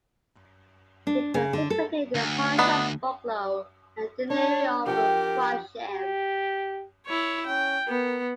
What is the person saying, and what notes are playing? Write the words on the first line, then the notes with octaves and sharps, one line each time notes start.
It was situated in the hundred of Bucklow and deanery of Frodsham.
D4
C#3
D3
A4
D2
B3 D4 D#4
D4 C#5
F3 G4 A#4 F#5 G5
G4
E4 C#5
C#4 G5
B3 A#4